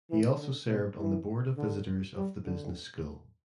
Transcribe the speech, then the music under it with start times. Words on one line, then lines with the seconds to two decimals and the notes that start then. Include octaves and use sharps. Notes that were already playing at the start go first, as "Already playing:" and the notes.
He also served on the board of visitors of the business school.
0.10 E3
0.41 D3
0.69 B2
0.99 E3
1.57 D3
2.16 G3
2.45 D3